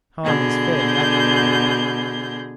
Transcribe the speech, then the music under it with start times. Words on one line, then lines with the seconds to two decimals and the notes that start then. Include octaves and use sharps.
"Hahn is fairly accurate, Moa."
0.24 B2 D3 G#4 G6